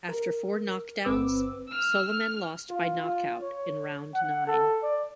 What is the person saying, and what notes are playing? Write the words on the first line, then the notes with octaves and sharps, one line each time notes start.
After four knockdowns, Soliman lost by knockout in round nine.
A#4
G1 C4 B4 D6 E6
E6 F6
F6
F4
F4
C#5
F#5
A4
D5